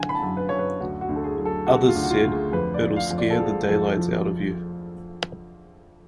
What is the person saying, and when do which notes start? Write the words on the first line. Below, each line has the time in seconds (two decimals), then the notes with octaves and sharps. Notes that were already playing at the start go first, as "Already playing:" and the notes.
Others said, "It'll scare the daylights out of you".
Already playing: F#2 D3 F#3 F#5 G#5
0.09 B5
0.15 A5
0.22 F#2
0.37 B4
0.49 F#2 C#5
0.59 B4
0.80 D2 F#4
1.01 F#4
1.09 D2
1.16 A4
1.24 G#4
1.38 F#3
1.45 A4
1.67 C#3 F#4
1.88 F4
1.95 D2
2.03 F#4
2.10 F4
2.24 D2
2.32 G#4
2.53 F2 B4
2.74 D5
2.82 F3
2.96 F5
3.11 F2
3.18 D5
3.30 A4
3.39 F3 G#4
3.68 F2 A4
3.97 F3